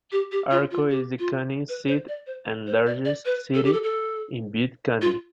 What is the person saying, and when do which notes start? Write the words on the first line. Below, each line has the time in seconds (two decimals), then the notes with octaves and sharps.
Arco is the county seat and largest city in Butte County.
0.12 G4
0.32 G4
0.51 F4
0.71 F4
0.91 G4
1.19 F4
1.69 B4
1.88 C5
2.08 D5
2.27 C5
2.67 C5
2.86 D5
3.05 D5
3.26 B4
3.55 A4
3.64 G4
3.73 A4
3.83 A4
5.02 F4